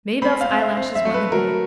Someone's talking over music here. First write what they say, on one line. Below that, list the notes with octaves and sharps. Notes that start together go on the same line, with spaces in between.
Maybelle's eyelashes won the day.
C4 B5
F5
C4
E5
C4
E5
A3
B4
F#3 A#4